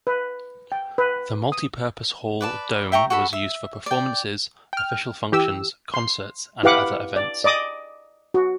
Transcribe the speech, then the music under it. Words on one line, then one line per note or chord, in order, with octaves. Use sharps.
The multi-purpose hall Dome was used for performances, official functions, concerts and other events.
B4
G5
B4
D#6
B4 D5 A5
E5 G5 A#5 C#6
F#4 A4 B5
E5
D5 G5
G5 F6
E3 G4 E6
C6
E4 G4 B4 F5 F#5 D6
D5
D5 D#5 D6 D#6
F#4